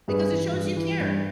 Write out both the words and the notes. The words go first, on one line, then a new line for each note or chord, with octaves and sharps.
Because it shows you cared.
G2 G#4 B4
E3
G2
E3
G2